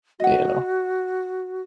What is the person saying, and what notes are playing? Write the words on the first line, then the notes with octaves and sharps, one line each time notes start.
you know?
F#4 D#5 F#5